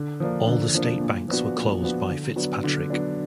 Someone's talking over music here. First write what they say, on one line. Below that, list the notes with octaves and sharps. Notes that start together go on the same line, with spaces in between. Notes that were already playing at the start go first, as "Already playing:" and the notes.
All the state banks were closed by Fitzpatrick.
Already playing: D3
F3 A#3 D4
D3
F3 A#3 D4
A#2
F3 B3 D4 F#4
A#2
F3 B3 D4 F#4
D3
F#3 B3 D4
D3
F#3 B3 D4